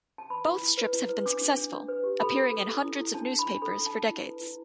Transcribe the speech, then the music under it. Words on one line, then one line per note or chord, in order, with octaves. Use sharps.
Both strips have been successful, appearing in hundreds of newspapers for decades.
A5
B4 B5
E4
E4
B4
E4
B4
D4 D6
D4
D4
D4
B4
G4
A4 B5
A4
A4
A4
E4
E4
D4 A5
D4
B5
D4
A4 B5
D4
A5
A4
E4
B4
E4